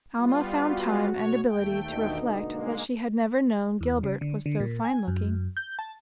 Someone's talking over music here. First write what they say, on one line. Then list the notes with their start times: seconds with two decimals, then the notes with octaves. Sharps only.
Alma found time and ability to reflect that she had never known Gilbert was so fine-looking.
0.16 G3 B3 F4
0.66 F#4
1.10 B2 C#5
1.48 D#2 A3 G5
1.90 B2 D3 D#4
2.42 G#3 A#3
3.81 E2
4.03 C#3
4.21 D3
4.46 D3
4.60 A#2
4.85 G#5
5.08 F#2
5.57 G6
5.79 A5